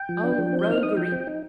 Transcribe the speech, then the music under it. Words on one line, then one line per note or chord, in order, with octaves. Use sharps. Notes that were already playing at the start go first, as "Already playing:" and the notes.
Oh roguery!
Already playing: G5
F3
D4
F3
C4
G6
D#4 F6
D#4 D#6
F3 G5
C4
D#4